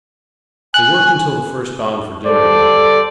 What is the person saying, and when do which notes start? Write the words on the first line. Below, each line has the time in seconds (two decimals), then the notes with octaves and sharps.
They worked until the first gong for dinner rang.
0.74 G#5 F#6
2.25 G3 A4 C5 D5